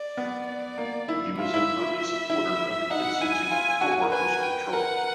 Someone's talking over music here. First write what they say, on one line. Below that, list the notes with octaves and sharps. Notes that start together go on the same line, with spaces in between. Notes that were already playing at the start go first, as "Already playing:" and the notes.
He was an early supporter of the Institute for Workers' Control.
Already playing: D5
B3
D5
A#3
E4
F4 E5
E4
E5
E4
D#4 F#5
E4 G#5
F4
F#4
F#4
A#4
B4 G#5
G5
A#4 F#5